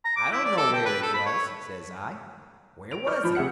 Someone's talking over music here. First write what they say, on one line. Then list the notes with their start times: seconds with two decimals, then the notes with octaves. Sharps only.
"I don't know where he was," says I; "where was he?"
0.04 A#5
0.16 D6
0.32 E4
0.45 D5
0.57 A4
0.73 G5
0.85 B4
1.02 A4
1.14 B5
1.26 C#5
2.91 D7 F7
3.06 B4 D5 C#6 F6 G6
3.24 F3 B5
3.35 C3 G#4 E5 F#5 C#7